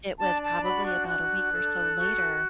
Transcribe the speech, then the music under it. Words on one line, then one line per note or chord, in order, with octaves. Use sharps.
it was probably about a week or so later,
D4 A5
A5
F#4 B5
F#6
D4 F#6
A4
F#4